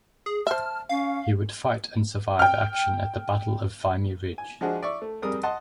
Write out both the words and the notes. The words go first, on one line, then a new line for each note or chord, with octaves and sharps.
He would fight and survive action at the Battle of Vimy Ridge.
G#4
C5 E5 A5 F6
C#4 F5
G5 F6
G#5
F3 G#3 D4 F#4 G#4
D5 E5 C#6
A3
F2 G3 G#4 A#4 D#6
D#5 F#5 A5 C6